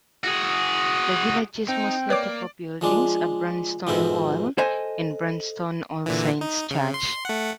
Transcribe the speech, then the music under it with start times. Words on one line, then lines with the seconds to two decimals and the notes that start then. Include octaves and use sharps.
The village's most notable buildings are Branston Hall and Branston All Saints' Church.
0.24 F#4 G#4
1.68 C4 D#4 G5
2.10 A#3 B4 C#5 D5 D6
2.81 F3 G#3 D4
3.87 F2 G#2 B2 C4 E4
4.58 A4 C5 D#5 G#5
6.06 A#2 D3 E3
6.41 D#4
6.71 C#3
6.94 C6
7.25 A3 F#5